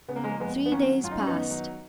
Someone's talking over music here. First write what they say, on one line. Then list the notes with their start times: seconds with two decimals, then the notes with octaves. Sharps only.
Three days passed.
0.08 C#3 B3
0.16 A#3
0.24 F3 G#3
0.31 A#3
0.40 F2 G#3 B3
0.56 F2
0.66 B3
0.72 D#3 A#3 C#4
0.88 F#3
1.03 F#2 F4
1.11 D#4
1.19 F#2 C#4
1.27 B3 D#4
1.36 D#3
1.51 F#3